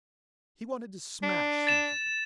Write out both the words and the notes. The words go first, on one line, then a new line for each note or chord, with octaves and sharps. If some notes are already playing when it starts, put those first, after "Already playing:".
He wanted to smash something.
D4
A6 E7